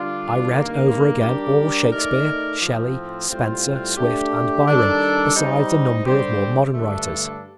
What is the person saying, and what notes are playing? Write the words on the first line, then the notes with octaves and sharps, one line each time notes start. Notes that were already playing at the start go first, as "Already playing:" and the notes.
I read over again all Shakespeare, Shelley, Spenser, Swift and Byron, besides a number of more modern writers.
Already playing: D3 G3 D4 F4
G2 D#3 A#3
G3 D4 G4 A#4 D5
A3 D#4 A#4 D5
A2 F3 C4
A2 G3 C4 F4
A3 D4 G4
D#3 G3 D4 A4 D5
G3 C4 D#4
D3 G3 C4 G4 C5
G2 D3 A3 D4 A4